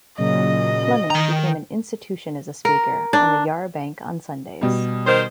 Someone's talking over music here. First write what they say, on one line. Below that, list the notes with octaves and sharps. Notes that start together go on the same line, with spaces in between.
Fleming became an institution as a speaker on the Yarra Bank on Sundays.
A#2 C#3 F#3 D#5
D#3 G5 A#5
A#4
D4
B2 G3
D#3 C5